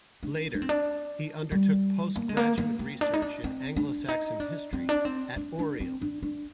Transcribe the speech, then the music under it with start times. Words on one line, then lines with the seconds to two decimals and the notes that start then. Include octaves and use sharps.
Later, he undertook post-graduate research in Anglo-Saxon history at Oriel.
0.23 D4
0.54 D4
0.62 C4
0.69 D4
1.52 G3
2.16 A#3
2.29 G#3
2.37 A#3
2.58 A#3
2.79 C4
3.01 D4
3.14 D#4
3.22 D4
3.44 C4
3.76 D4
4.09 D#4
4.40 D4
4.73 C4
4.89 D4
5.05 C4
5.36 D4
5.59 D4
5.80 C4
6.01 D4
6.23 D4